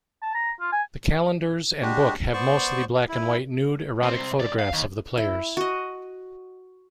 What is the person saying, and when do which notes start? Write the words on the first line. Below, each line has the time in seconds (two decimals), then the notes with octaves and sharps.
The calendars and book have mostly black-and-white nude, erotic photographs of the players.
0.23 A5
0.35 A#5
0.60 F4
0.72 G#5
1.82 G#3 D4 F#4 G4
2.33 B3 C5 D5 C#6
3.08 E4
4.03 C2 C4
4.40 B1 D5
4.59 F5
4.73 D#2
5.17 E4
5.57 F#4 D#5